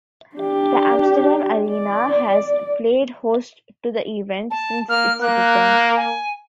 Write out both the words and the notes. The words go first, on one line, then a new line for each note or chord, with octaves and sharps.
The Amsterdam Arena has played host to the event since its return.
D4 G4
D5
A5
A#3 F6
A#3 F#6
G#5